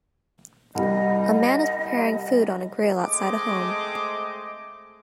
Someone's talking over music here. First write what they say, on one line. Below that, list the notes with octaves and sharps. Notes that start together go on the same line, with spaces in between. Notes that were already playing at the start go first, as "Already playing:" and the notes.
A man is preparing food on a grill outside a home.
C2 G3 D#5
G#3 A3 C4 C5 D#5 D6